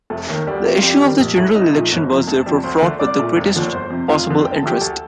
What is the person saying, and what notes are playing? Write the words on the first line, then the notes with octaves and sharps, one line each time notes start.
The issue of the general election was therefore fraught with the greatest possible interest.
F1 A3 A4
D#2 D#3
D2 G3 G4
C3 F3 A3
F4
F2 G3 G4
D#3 G3
A#1
A2 A3
C2 D#4 D#5
A#2 F3 A3
G1
F2 C3 F3
F1 A4 A5
F2 C3 G3
D2 C5 C6
D3 A3
C2 D5 D6
A#2 A3
F1
D#2 D3 F3
G1 C5 C6
F2 C3
F1 F4 F5
F2 D3
D2 G5
A5
D3 F3 A3 G4 G5
D2 A4 A5